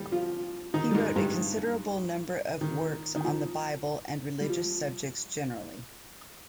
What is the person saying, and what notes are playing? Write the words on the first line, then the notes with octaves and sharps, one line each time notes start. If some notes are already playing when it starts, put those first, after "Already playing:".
He wrote a considerable number of works on the Bible and religious subjects generally.
Already playing: G3 G4
F3 F4
D#3 D#4
G3
G#2 G#3
G2 G3
D#3
D#3
F3
G3
F3